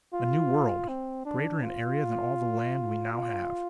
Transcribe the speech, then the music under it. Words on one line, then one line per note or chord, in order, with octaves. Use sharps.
A new world, greater in area than all the land we now have.
F4
C4
D4
F4
F4